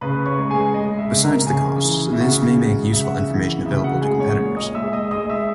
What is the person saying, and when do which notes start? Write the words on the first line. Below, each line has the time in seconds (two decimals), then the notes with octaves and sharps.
Besides the cost, this may make useful information available to competitors.
0.01 C#3 B4 B5
0.25 C#5 C#6
0.38 G#3
0.50 G#4 G#5
0.74 G#3 D#5
0.98 E5
1.11 C#3
1.23 A#4 A#5
1.47 C#3 G#4 G#5
1.83 E3
2.13 E5
2.20 C#3 F#4 F#5
2.56 G#3
2.93 C#3 E5
3.04 F#5
3.15 E5
3.30 E3
3.65 C#3 E5
3.83 F#4 F#5
4.02 G#3 G#4 G#5
4.20 C#5 C#6
4.39 A#2
4.57 D#5 D#6
4.75 G#3 E5 E6
4.93 D#5 D#6
5.11 G#3 D#5 D#6
5.30 E5 E6